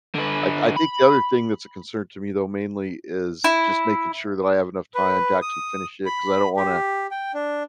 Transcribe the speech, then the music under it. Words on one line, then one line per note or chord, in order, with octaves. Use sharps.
I I think the other thing that's a concern to me though, mainly is just making sure that I have enough time to actually finish it, 'cause I don't wanna
D3 B4
B5
E4
B4
D#6
B5
G4
G5
D4